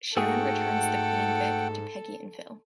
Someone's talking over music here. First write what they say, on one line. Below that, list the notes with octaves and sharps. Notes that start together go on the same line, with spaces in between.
Sharon returns The Queen Vic to Peggy and Phil.
G#2 A3 F#4 G#4 A4 F#5 G5